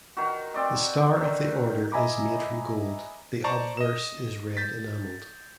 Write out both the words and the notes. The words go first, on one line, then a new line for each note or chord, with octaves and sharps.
The star of the Order is made from gold, the obverse is red enameled.
D#3 F#4
C4 D5 D#5
D3 D#3
D#5 E5 G#5 A#5 B5 D6
C5 D5 A5 A#5 C#6
D#5 E7
G6 A6 B6